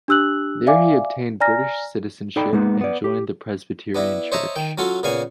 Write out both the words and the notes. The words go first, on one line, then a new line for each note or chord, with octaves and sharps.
There he obtained British citizenship and joined the Presbyterian church.
D4 G4 E6 F#6 F#7
D5 E5 F5 G#5 D6
D5 G#5 A#5 F6 A#6
D#4 A4 D5 G5 B5
G#3 A#3 B3 D#4
B3 D5
G4
B3 D4 E4
C5 C#5 D#5 E5 A5 A#5
D#3 G5
F#3 C#4 F4 F#4 A4
A#2 C#3 B3 F5 G#5 C#6